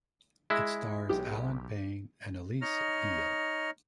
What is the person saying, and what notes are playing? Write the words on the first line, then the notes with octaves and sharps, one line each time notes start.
It stars Allen Payne and Elise Neal.
G#3 E4 E5
B1 G4
D#4 C#5 D#5 F6